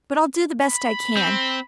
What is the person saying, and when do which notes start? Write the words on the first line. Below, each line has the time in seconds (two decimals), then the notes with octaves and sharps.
But I'll do the best I can.
0.65 B5
1.17 C4